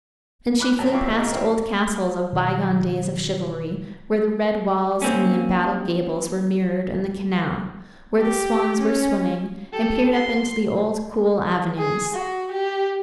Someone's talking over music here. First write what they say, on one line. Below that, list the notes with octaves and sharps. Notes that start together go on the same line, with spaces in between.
And she flew past old castles of by-gone days of chivalry, where the red walls and the embattled gables were mirrored in the canal, where the swans were swimming, and peered up into the old cool avenues.
B5 D6 F#6
E2 A2 F#3 A5 A#5
A2 C4 F4 C#6 D6
E3 G#3 E5
G#2 B2 G#3 A#3
A#3 C4 C#4 E4
B2 D#3 F#3
A#3 C4 C#4
G4
C#4
G4 A4
C6
G#4
F#4
G4